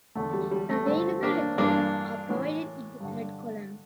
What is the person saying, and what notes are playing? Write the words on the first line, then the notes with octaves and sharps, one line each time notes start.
Available recordings are provided in the third column.
E2 D3 A3
G3
G3
A3
G2 D3 A3 C4
A#3 D4
G2 E3 A#3 D4
A2 E3
G2 D3